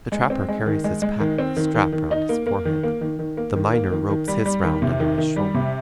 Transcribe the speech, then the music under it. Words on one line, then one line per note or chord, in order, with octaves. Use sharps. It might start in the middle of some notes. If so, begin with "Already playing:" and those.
The trapper carries his pack with a strap round his forehead. The miner ropes his round under his shoulders.
G#3
C4
G#3
D#3
G#3
G#3
D#3
C4
D#3
D#3
D#3
D#4
A#3
A#3
D#3
A#3
D#3
D#3
A#3
D#3
A#3
D#3
D#3
G3
G3
D#3
C3
D#3
D#3
G3
C3